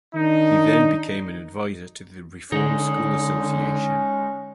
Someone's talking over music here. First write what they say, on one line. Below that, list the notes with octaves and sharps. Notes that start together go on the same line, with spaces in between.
He then became an advisor to the Reformed School Association.
D#3 D4 D#4
D3 G#3 C#4 D#4